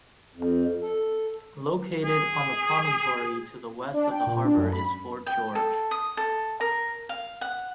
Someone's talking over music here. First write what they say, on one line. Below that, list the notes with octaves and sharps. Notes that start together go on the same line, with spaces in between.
Located on the promontory to the west of the harbor is Fort George.
F2
A4
G#4
D4
G5
A#2
D4
F#2
B5
G5
A4
D#6
A4
A#4
F5
F#5